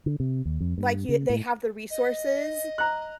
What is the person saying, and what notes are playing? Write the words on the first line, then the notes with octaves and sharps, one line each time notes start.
like you they have the resources
D3
C3
D#2
F2
G2
C#3
A2
D#5
A#5 F#6